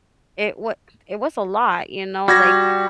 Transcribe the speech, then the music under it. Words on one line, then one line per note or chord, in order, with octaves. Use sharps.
it wa it was a lot, you know, like,
G3 F#4 G#6 A#6